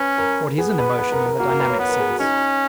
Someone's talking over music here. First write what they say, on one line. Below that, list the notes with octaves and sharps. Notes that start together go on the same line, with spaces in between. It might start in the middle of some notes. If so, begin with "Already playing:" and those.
What is an emotion in the dynamic sense?
Already playing: C#4 B4
A#4
B3 G#4
B4
B4
A#4
A#4
A#3 F#4
A#4
B4
C#5
B3 B4
A#4
G#4
F#4
C#4 D#4